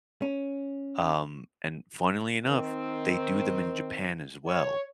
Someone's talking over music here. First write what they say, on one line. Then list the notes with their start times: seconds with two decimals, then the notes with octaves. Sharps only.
um, and funnily enough, they do them in Japan, as well.
0.22 C#4
2.46 D#3 C4
4.47 C#5